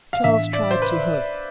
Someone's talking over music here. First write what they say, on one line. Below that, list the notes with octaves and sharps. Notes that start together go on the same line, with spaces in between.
Charles tried to hope.
F5
A2 E3 B3 D4 E5
D5
C5
B4